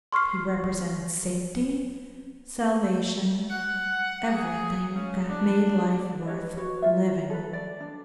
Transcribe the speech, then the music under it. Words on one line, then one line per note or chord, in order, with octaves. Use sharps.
He represented safety, salvation, everything that made life worth living.
C6 C#6 F6 C7
F#5
G#4
C#3
D4
G4 B4 C#5 D#5
F#4 B4 C#5
F4 E5
A4 B4
D5
D4